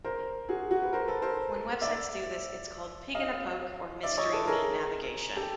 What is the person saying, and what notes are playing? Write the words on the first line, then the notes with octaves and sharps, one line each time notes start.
When websites do this, it's called pig in a poke or mystery meat navigation.
A#4 C5
F#4 G#4
F#4
B4
A#4 C5
A4 B4
A#4 C5
D5 E5
D#5 F5
D5 E5
C#5 D#5
A4 B4
G#4 A#4
G4 A4